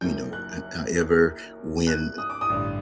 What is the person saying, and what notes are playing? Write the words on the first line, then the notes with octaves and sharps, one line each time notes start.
you know? H however, when
F#1 F#2 D#3 G6
F#6
F#6
D#6
D6
D#6
A1 G2 D3